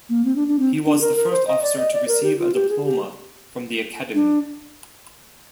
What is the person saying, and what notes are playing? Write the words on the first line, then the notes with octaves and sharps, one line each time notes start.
He was the first officer to receive a diploma from the Academy.
A#3
C4
D4
D4
C4
D4
A#4
A#4
C5
D#5
D5
D#5
D5
A#4
G4
F4
G4
G#4
G4
D4